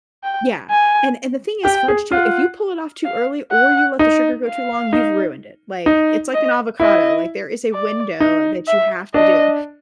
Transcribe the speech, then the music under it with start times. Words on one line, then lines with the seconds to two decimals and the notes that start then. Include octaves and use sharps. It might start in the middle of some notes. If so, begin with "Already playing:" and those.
Yeah. And and the thing is fudge, too, if you pull it off too early or you let the sugar go too long, you've ruined it. Like, it's like an avocado, like, there is a window that you have to do.
0.24 G5
0.71 G#5
1.64 G4 G5
1.88 G#4
2.11 F4 F#5
3.05 F5
3.52 F#5
3.99 D#4
4.46 F5
4.93 D#4
5.86 D#4
6.34 D#5
6.80 E4 D#5
7.74 D5
8.20 D#4
8.68 E5
9.14 D4 D#5